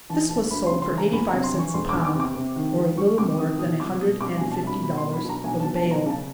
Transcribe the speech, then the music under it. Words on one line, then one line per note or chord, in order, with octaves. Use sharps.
This was sold for eighty-five cents a pound, or a little more than a hundred and fifty dollars for the bale.
E3 A5
D2 A5
D2 B5
C6
C#3
C6
E3
A#5
E2 B5
A#5
C3
C6
E3 C#6
E1 C6
D6
E2
D6
C3
D6
C3
D#3
C#2
C#2 C#6
C3 D6
D#3 D#6
B2 D#6
C2 D6
B2 D#6
C2 D6
G#5
B2
A5
C2 B5
B2 B5
C6
B1
B5
B2 A#5
B1 G#5
A5
B2
A5
B1
A#5
C#3 A5